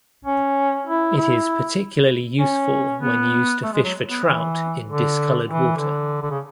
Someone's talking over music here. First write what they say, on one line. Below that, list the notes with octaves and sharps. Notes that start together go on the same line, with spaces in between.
It is particularly useful when used to fish for trout in discolored water.
C#4
E4
E4
C#4
B3
A3
G#3
F#3
B3
E3
D3
E3
D3
D3
C#3